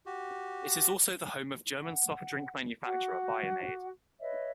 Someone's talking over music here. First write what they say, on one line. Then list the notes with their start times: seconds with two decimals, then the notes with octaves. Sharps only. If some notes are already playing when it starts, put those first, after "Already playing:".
It is also the home of German soft drink manufacturer Bionade.
0.06 F#4 G4
1.83 F#5
2.84 F#4 F#5 D6
4.20 B4 C#5 D#5 E5